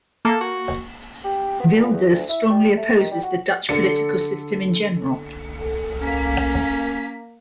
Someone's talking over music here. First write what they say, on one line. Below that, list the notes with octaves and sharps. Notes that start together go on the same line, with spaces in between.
Wilders strongly opposes the Dutch political system in general.
A#3 A4
F#4
G4
B3
A#2
E2
D2
E4
G3
A3
D#3
G3
F#4
D3 A4 C#7
A#3 C#4 B6